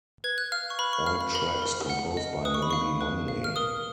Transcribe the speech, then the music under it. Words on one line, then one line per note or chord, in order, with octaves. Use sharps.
All tracks composed by Maybe Monday.
B4 G#6
F#6
F5 F6
C#6
B4 B5
C#6
F5 F6
B5
A#4 B5
A#4
F#5
D#5
B4 D#6
C#6
B5
F5 C#6
B4
F5
F6
A#4 D#6